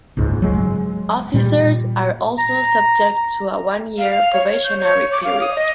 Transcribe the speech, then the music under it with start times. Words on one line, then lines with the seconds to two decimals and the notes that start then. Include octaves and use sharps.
Officers are also subject to a one-year probationary period.
0.17 F#1 C#2 G#2
0.42 F#3 G#3
1.34 A#2 G3
2.38 A#5
3.98 F5
4.33 C#5
4.64 G6
4.80 C#5
5.12 D6
5.24 F5
5.41 D#6
5.56 D#5